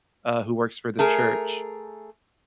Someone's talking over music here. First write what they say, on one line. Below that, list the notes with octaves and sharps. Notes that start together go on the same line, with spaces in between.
uh, who works for the church,
A3 G#4 A#4